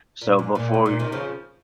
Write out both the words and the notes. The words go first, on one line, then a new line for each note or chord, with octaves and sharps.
So, before y
A#2
G#2
A#2
G#2
A#2
C3 D#3
C#3 F3